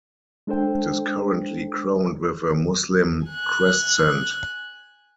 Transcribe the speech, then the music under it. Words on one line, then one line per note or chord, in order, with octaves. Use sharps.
It is currently crowned with a Muslim crescent.
G#3 D4 A4 C5 G5
G#5 F#6